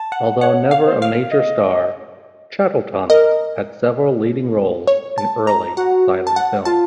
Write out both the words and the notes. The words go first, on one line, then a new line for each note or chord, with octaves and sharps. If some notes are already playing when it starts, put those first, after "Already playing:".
Although never a major star, Chatterton had several leading roles in early silent films.
Already playing: A5
F#5
C#5 F#5
F5
C5
F5
D#5
A#4 D#5
C#5
A5
A#5
F#4 F#5
A5
F#5
F4 A5